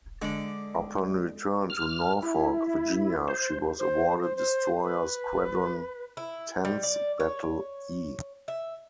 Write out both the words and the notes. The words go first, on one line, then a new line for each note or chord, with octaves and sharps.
Upon return to Norfolk, Virginia she was awarded Destroyer Squadron Ten's Battle 'E'.
D3 G#3 D5
F6
E4
C5
C5
C5
C5
B4
E4
G3
D5
C#5
E5